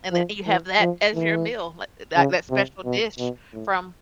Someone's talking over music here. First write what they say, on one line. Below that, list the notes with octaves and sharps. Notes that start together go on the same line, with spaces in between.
and then you have that as your meal li eh, that that special dish from
F3
E3
F3
E3
C#3
C3
B2
B2
A2